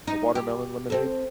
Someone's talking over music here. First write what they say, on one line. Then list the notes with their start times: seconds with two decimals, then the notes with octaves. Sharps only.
a watermelon lemonade.
0.07 D#4
0.35 G4
0.90 C4 A4